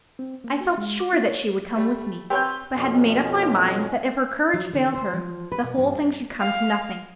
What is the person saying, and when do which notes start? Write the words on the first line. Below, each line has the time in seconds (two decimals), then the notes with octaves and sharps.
I felt sure that she would come with me, but had made up my mind that if her courage failed her, the whole thing should come to nothing.
0.19 C4
0.44 A#3
0.60 F#4
0.78 G#3
1.00 D6
1.13 C#4
1.28 C#5
1.76 G3 A3
2.30 C4 G4 B4 C#5 G5
2.75 F2 B2 C#4
4.53 F#3
4.73 D3
4.94 C5
5.13 F3
5.52 B4
5.64 B2
5.77 G2
5.93 D4
6.40 F5